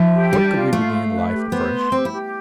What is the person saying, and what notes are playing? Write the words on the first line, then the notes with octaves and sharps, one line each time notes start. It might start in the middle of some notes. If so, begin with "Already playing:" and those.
Where could we begin life afresh?
Already playing: F3 E5
G4
G3 D4
F4
A3 F5
F5
B4
G4
B3 C5
C6
C4 G4
E4
G4